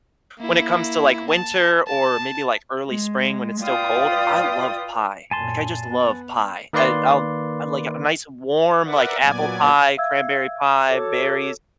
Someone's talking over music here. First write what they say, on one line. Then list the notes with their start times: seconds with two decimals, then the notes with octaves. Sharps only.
when it comes to, like, winter or maybe, like, early spring when it's still cold, I love pie. Like, I just love pie. I I'll I'd like a nice warm, like, apple pie, cranberry pie, berries.
0.39 A#3 E4
1.29 A5
1.87 A5
2.86 G#3
3.61 F4 B4 D5 F5 G5 D#6
5.31 F#2 A#2 G#5 A5 C6
5.89 B3
6.73 D#3 A#3 B4 D5 C6
8.84 A#4 B4 D5 E5 F#5
9.21 A#2 F#3 B3 D5 G#5
9.97 E5 F5 E6 G#6
10.89 F#4 A4 C#5 D6